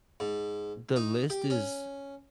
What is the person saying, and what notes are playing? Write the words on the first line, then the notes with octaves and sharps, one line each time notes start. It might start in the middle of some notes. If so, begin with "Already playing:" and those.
the list is
G#2
D#4
G4
C#4